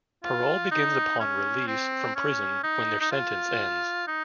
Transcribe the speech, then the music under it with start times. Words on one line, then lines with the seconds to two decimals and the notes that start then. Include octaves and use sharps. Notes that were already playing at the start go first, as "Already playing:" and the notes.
Parole begins upon release from prison when their sentence ends.
0.24 F4
0.72 D#4
1.20 C#4
1.67 C4
2.16 C#4
2.63 D#4
3.01 D#4
3.12 F4
4.08 D#4